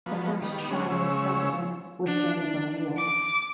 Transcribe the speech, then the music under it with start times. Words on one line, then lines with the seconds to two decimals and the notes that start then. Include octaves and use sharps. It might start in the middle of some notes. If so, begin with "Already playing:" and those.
The first Shire President was James O'Neill.
0.06 F3 F#3 B3
0.42 D#3 G3 B3
0.70 D3 F#3 G#3 C#4
0.90 C#3 G#3 C#5 E6
2.07 D4
2.39 D4
2.97 D6